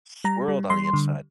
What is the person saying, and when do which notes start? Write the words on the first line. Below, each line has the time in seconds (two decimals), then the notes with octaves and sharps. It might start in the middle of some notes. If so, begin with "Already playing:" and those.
Swirled on the inside.
0.24 G3 A#5
0.48 G3
0.70 G3 C6
0.94 D3